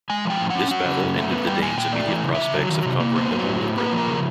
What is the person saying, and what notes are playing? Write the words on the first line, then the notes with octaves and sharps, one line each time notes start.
This battle ended the Danes immediate prospects of conquering the whole of Britain.
G#3 G#5
F3 G5
A2
F#5
C#4
F#3 F#5
C#3
F#2
A3
B3
G3 G5
A#2 G#5
A#2 G5
A3 D5
E3
C#3
E5
C#3
F#3
D#3
C3
A#3
B3 C5
F#3
A2
A2
A#3 B4
F3
A#4
C#3 G#4